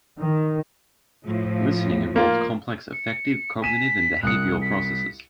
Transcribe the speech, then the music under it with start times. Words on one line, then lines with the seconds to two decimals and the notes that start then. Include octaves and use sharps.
Listening involves complex affective, cognitive, and behavioral processes.
0.19 D#3
1.26 A2 F3
2.16 A#3 F4
2.93 C#7
3.62 G#5 B6 D#7 E7
4.23 C2 D#6 F#6 C#7
4.62 B6